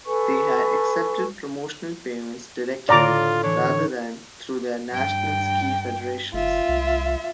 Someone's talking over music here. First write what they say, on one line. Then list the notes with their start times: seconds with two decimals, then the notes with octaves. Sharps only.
They had accepted promotional payments directly, rather than through their national ski federations.
0.07 A4 B4 G#5 C#6
2.89 A2 D3 F4 D5 A#5 D6
3.43 E3 A3 D4 C#5
4.91 G2 G5
6.33 F#1 F4 E5
6.69 C2